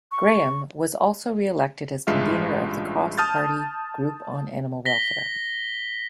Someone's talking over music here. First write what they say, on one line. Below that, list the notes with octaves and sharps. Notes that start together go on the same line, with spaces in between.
Grahame was also re-elected as Convener of the Cross Party Group on Animal Welfare.
C#6
A1 G2 G#3 F4 E5 F6
A5 D#6 F6 G6 A6
A#6 B6 G7